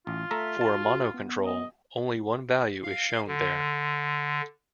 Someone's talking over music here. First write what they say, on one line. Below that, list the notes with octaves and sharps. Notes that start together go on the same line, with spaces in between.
For a mono control, only one value is shown there.
A1 F4
A3 E5 A#5 B6
F#4 A5
F#4
B3
D#5
F5
D3